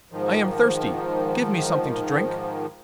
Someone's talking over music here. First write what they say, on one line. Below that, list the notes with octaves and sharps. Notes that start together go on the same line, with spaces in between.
'I am thirsty; give me something to drink.'
G#2 D#3 F3